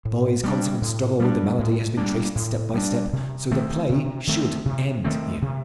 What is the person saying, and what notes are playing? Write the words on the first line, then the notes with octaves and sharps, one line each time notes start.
The boy's consequent struggle with the malady has been traced step by step, so the play should end here.
A2
G3 A#3 D4
A2
G3 A#3 D4
A2
G3 A#3 D4
A2
G3 A#3 D4
C3
D#3 A3 C4
C3
D#3 A3 C4
C3
D#3 A3 C4
C3